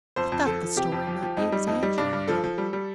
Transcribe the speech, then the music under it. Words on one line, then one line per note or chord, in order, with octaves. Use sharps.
I thought the story might be exaggerated.
F2 C5
F2
F3 A4
F3
C3 G4
F2
F3
F3
F2 D#4
G3
F2 D#4
G3
G2 D4
G2
F3 A4
F3
G3
G3